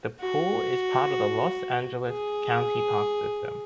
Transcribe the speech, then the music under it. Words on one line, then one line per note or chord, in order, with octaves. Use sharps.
The pool is part of the Los Angeles County Park system.
F#4
G#4